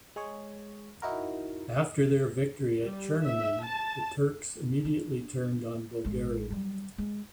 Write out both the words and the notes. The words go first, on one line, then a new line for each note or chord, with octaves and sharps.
After their victory at Chernomen, the Turks immediately turned on Bulgaria.
G#3 G#4 C#5
D#4 E4 F#4 A#4
G3
E5
A5
D4
A1 G#3
F#3 G3
G#3